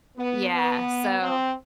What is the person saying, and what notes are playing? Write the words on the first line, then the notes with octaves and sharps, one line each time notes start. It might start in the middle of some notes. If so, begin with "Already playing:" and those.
Yeah, so
B3
B3
C4